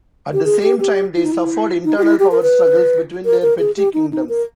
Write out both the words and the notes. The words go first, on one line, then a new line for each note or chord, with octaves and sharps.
At the same time, they suffered internal power struggles between their petty kingdoms.
G4
G#4
G4
G4
E4
D#4
E4
D#4
G4
E4
G4
A#4
B4
A#4
A#4
G#4
G4
D#4
D#4
A#4